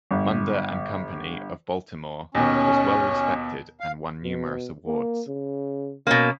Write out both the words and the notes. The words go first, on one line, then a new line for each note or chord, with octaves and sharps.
Munder and Company, of Baltimore, was well respected and won numerous awards.
G1
D#2 B2 C#4
F5
B2
A#3
C#3
B2 A#3 C#4